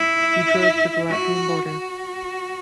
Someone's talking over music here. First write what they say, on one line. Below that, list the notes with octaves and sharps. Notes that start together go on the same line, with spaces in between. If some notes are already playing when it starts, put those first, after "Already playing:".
He drove to the Latvian border.
Already playing: E4
F#4
F#4